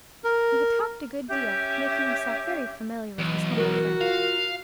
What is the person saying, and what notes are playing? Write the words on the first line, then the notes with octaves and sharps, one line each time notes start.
He had talked a good deal, making himself very familiar with his humble friend.
A#4
C#4 G4 E5 G6
B1 E3
F#4 A#4
F4 F5